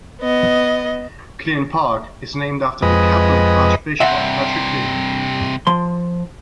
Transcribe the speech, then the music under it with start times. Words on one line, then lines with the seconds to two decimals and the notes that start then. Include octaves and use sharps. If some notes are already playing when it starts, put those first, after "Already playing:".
Clune Park is named after the Catholic Archbishop Patrick Clune.
0.21 B3 D#5
2.82 F2 G#3 B4 D#5
4.00 G2 C3 E5 F#5
5.67 F3 C6